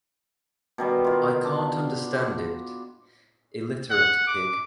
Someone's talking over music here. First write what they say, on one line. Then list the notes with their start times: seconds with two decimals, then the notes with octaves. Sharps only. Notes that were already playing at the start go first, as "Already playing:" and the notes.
I can’t understand it. Illiterate pig.
0.78 B2 D#3 G3
1.05 D#3 F4
1.45 D4
3.90 F#5
4.27 D6